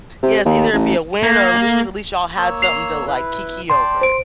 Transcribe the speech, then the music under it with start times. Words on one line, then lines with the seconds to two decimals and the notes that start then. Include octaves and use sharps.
yes, either it'd be a win or lose. At least y'all had something to like kiki over.
0.23 C3
0.45 D#2
0.73 A1
1.23 A#3
2.37 A#3 C#5 E6
2.62 C7 F7
3.08 E4 B4
3.70 D5 G5 A5 C6
4.01 C5 D7